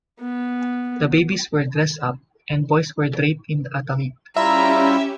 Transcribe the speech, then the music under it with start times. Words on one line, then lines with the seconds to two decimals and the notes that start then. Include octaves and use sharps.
The babies were dressed up, and boys were draped in a tallit.
0.19 B3
4.36 G3 C#4 E4 F4 G4 E5 A#5